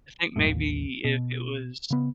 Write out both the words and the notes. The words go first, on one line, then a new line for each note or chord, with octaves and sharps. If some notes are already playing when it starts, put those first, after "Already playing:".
I think maybe if it was
D#1 F#2 A2
A1 D#2
B2
C#3 B3